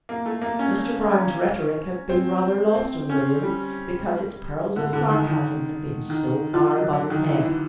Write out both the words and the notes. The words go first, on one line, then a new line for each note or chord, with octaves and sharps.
Mr. Brown's rhetoric had been rather lost on William, because its pearls of sarcasm had been so far above his head.
A#3
A3
A#3
C#4
C4
C4
C#4
G3
D3
D3
D#3
D#3
D#3
F3
F#3
D3
D#3
E3
E3